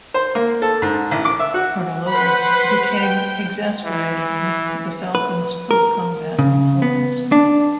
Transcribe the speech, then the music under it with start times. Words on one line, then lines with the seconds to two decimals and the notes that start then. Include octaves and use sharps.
Colonel Olds became exasperated with the Falcon's poor combat performance.
0.14 C5
0.35 A#3
0.62 A4
0.82 G#2
1.11 A1
1.25 D6
1.40 E5
1.54 F#4
2.10 B4 C5 F#5 B5
2.99 G5
3.85 E3
5.15 B4
5.71 A#4
6.39 C#3
6.82 B3
7.32 D4